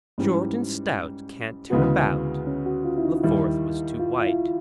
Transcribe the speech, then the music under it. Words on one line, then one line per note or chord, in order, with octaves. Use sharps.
'Short and stout, can't turn about!' The fourth was too white.
G#2 E3 G3 C#4
D2 C#3 E3 G#3 B3 F#4
C#4
F#4
F4
E4
D#4
D#2 D#3 G3 E4
F4
F4
E4